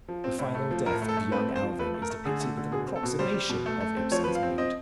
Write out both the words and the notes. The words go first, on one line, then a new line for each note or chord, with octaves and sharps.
The final death of young Alving is depicted with an approximation of Ibsen's mood.
F3
C4
A2
A3
F3
A2 A#4
A3
A4
A3
C4 B4
C4
C5
F3
A3 B4
A3
A#4
A3
D3 G#4
A3
D3
B2 G#4
C4
A4
B2
G3 C5
G3
B2
A3
A3
C4
F3 C#5
B4
F3
F5
C4
C4 D#5